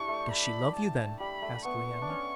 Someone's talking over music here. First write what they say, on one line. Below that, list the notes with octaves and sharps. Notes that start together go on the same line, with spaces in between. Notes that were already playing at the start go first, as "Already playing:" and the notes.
"Does she love you then?" asked Leander.
Already playing: D4 E4 G4 C#6
A3
B5
A5
G3 B5
A3
B3 C#6
D4
C#4